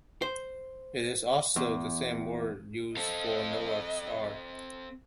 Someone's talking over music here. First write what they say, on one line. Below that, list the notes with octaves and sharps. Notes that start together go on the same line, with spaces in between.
It is also the same word used for Noah's Ark.
C5
E2
C4 A4 D#5